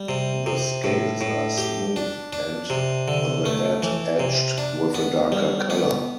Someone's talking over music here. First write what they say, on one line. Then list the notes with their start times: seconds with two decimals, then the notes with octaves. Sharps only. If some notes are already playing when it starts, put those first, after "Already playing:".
The scales are smooth and, on the head, edged with a darker colour.
Already playing: G3
0.09 C3
0.46 C3
0.84 A2
1.21 A2
1.58 G4
1.96 D4
2.33 D4
2.70 C3
3.08 D3
3.46 A3
3.82 E3
4.20 C3
4.58 D4
4.95 B3
5.32 G3
5.70 B3